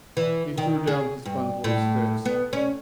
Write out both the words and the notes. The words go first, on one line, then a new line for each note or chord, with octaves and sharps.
He threw down his bundle of sticks.
E3
D#3
G#4
G2
A2
B3
C#4